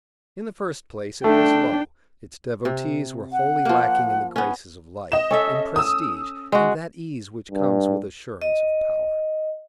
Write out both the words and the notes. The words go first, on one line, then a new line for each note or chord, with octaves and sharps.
In the first place it was low; its devotees were wholly lacking in the graces of life, in prestige, and that ease which comes with assurance of power.
A3 D4 G5
C3
F#5
F3 A#3
B3 C#4
D#5 E7
C#4 A4 E5
D#6 E6
G#3 F#4
G2
D#5